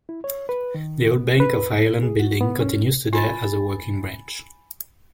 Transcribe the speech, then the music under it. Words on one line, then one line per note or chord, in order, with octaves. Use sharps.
The old Bank of Ireland building continues today as a working branch.
E4
C#5
B4
D#3
B3
B4
A2
G#4
F#4
B3
C#4
F4 G#5 B5 A6